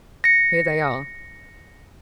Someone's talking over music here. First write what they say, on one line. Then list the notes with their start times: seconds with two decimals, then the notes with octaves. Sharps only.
"Here they are."
0.24 A#6 C#7